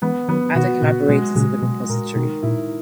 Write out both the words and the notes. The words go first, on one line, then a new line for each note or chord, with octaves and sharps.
Add a collaborator to the repository.
E3 G#3 B3
D#3 F#3 B3
B2 D#3 F#4
A#2 C#3 F#4
B2 G#3
A#2 C#3 G#3
B2 G#3
A#2 A#4
B2 D#3
A#2 E4